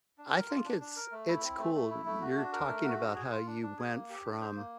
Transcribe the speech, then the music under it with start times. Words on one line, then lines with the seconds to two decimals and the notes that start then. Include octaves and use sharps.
I think it's it's cool. You're talking about how you went from
0.18 D4
0.34 A#4
0.49 F4
0.65 D4
0.80 D4
0.96 A#4
1.12 A3
1.28 E4
1.43 C4
1.59 A3
1.75 A3
1.90 E4
2.06 A3
2.21 F#4
2.37 D4
2.53 A#4
2.68 A3
2.84 F#4
3.00 D4
3.15 G#4
3.31 F4
3.47 D4
3.63 D4
3.78 G#4
3.94 A#3
4.09 G4
4.25 D4
4.41 C5
4.56 A#3